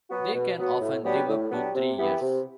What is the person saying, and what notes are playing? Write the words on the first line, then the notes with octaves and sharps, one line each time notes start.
They can often live up to three years.
F#3 B3 F#4
B2
F#3 B3 F#4
A2
F#3 B3 D4 G4
A2
F#3 B3 D4 G4
C3
E3 B3 E4 G4
C3